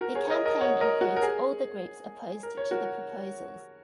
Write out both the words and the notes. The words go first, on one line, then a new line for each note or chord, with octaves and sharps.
The campaign includes all the groups opposed to the proposals.
F#4 A#4
G#4 C#5
C#5
A#4 D#5
A#4 D#5
C#5 F#5
A#4 D#5
F#4
A#4
G#4
A#4
C#5
F#4 A#4